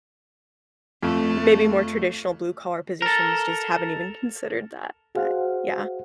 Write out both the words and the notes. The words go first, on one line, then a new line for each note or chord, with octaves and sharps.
maybe more traditional blue collar positions just haven't even considered that. But, yeah.
F2 A3
A4 A#4
F#4 G#4 C5 F5 F#5